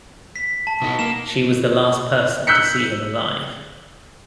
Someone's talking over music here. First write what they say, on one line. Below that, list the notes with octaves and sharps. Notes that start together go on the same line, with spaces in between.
She was the last person to see him alive.
B6
A5
B2 D#4 F#4
A#3 E7
E6 F#6 G6 B6 C#7